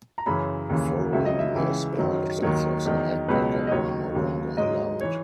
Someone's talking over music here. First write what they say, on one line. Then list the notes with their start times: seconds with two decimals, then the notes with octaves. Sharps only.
Following this, portraits of the head packer were no longer allowed.
0.18 A#5
0.26 F#2 C#3 E3 B5
0.69 D#2 C#3 E3
1.13 C#2 C#3 F#3 E5
1.26 D#5
1.39 E5
1.55 C#2 C#3 E3
1.98 F#2 D#3 F#3
2.42 D#2 D#3 F#3 C#5
2.85 E2 D#3 F#3
3.28 C#2 B2 F#3 B4
3.67 D#5
3.71 D#2 D#3 F#3 C#5
4.15 D#2 C#3 F#3
4.57 G#2 F#3 D#5
5.01 E3 C#5